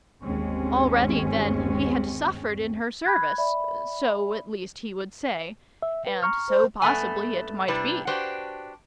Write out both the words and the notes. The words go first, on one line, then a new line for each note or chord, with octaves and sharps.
Already, then, he had suffered in her service--so at least he would say, and so possibly it might be.
G1 D#2 G#3 C4 C#4
B5 F#6 G#6
D5 E5 B5
E5
B4
A#5 C#6 F6
C5
G2 A3 B3 G#5
C3 G3 D4 E4 B4
D4 F#4 G4 B4 C5